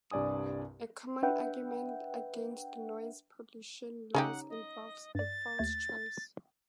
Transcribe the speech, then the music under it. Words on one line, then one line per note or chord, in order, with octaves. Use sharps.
A common argument against noise pollution laws involves a false choice.
C2 G2 D5 G#5 D#6
D4 B4 E5 F#5 G5
C#3 C#4 D#4 G4 F#5 G5
D#5
G2 D5 A6
D#2 A3 G#6